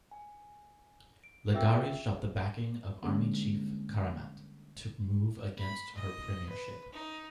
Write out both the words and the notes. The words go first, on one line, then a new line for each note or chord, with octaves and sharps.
Leghari sought the backing of the Army Chief, Karamat, to move against her premiership.
G#5
D7
C4 F4 A#4 E5 G5 E6
G#4
D3 G3 G#3 A#3 C#4
B5
D#5
B4
D#4